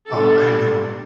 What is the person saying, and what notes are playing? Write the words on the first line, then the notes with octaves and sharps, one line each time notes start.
Oh, I know.
D3 G3 B3 D4 A4